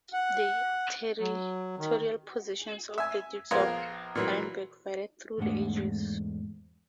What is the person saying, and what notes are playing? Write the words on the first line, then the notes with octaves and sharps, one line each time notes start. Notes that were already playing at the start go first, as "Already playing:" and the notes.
The territorial possessions of the dukes of Arenberg varied through the ages.
F#5
F#3
D#3
E5 G#5
A#1 B3 F4 G#4 A#4 C5
A#2 E3 F#3
E2 G#2 G#3 A3 D4 F#5